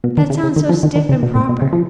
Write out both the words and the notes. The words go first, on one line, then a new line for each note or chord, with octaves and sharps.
That sounds so stiff and proper.
B2
D#3
C#3
C#3
D#3
F3
D#3
D#3
C#3
B2
A#2
B2
C#3
F3